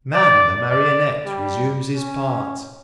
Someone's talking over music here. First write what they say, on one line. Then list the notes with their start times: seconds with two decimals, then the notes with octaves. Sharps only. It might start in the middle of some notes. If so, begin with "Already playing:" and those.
Man, the marionette, Resumes his part.
0.14 D5
0.70 D5
1.26 G3
1.95 C#4